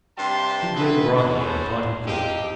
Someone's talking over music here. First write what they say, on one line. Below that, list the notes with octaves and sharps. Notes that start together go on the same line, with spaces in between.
He grinned broadly, and thought he could.
G2 C3 G3 A5 C6
F#3 E4 G#4 A4 B4
G#3 B3 C#4 A4 C5 C#5
F3 C4 D#4 G4